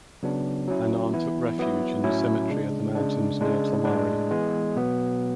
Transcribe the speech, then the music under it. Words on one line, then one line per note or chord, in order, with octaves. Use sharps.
Annan took refuge in the cemetery of the mountains near Tomari.
C#3 F#3 B3 D4
F#3 C#4 E4
E3 B3 E4
F#3 B3 E4
A2 F#3 C#4 E4
C#3 G#3 D4
C#3 G#3 D4
C#3 G#3 D4
A2 G#3 D4
E3 G#3 B3
B2 F#3 B3